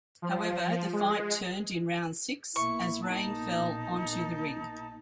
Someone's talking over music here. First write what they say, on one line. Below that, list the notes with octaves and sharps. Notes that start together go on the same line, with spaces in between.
However, the fight turned in round six, as rain fell onto the ring.
F3
G#3
A#1 B2 A#3 E4 C#6
D#4 A5